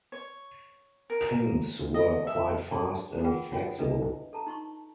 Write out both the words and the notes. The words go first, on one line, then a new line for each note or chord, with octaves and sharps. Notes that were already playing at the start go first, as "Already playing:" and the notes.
Pinks were quite fast and flexible.
C#5
A#4
D#5
E5
D4 G#4 C#5 D5 A5 C6
F4 G#4 A#4 B4 F#5 G5
F4 C#5 F#5 G5
D4 A4 B4 D#5 E5
A4 A5 A#5
D#4 C6 C#6